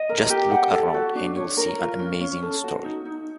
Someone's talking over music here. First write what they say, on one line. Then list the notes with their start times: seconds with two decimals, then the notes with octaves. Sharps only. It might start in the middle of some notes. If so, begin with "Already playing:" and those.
Just look around and you’ll see an amazing story.
Already playing: D#5
0.09 A#4
0.30 G4
0.51 F#5
0.72 A4
0.94 F#4
1.15 D4
1.36 C#5
1.57 A#4
1.79 F4
1.99 C#4
2.21 C#4
2.42 A4
2.64 F#4
2.84 D#4
3.05 D#4